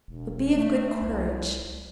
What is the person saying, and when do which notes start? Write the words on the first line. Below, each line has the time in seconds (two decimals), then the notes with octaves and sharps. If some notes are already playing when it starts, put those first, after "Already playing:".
But be of good courage.
0.08 E1
0.56 A3
1.02 C2